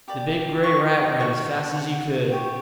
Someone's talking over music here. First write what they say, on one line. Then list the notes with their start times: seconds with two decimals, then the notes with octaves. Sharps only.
The big grey rat ran as fast as he could.
0.08 G4 D5 D6
0.63 C#6
1.20 F#4 C#5 C#6
1.76 F#5
2.32 G4 C#5